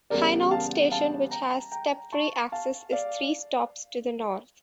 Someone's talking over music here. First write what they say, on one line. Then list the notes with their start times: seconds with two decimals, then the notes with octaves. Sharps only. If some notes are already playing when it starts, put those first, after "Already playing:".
Hainault station which has step-free access is three stops to the north.
0.10 E2 C#3 G3 A#4 D5
0.51 F5 A5
0.91 F5 A5
1.31 G5 A#5
1.71 G5 A#5
2.12 A5 C#6
2.52 F5 A5
2.92 D5 F5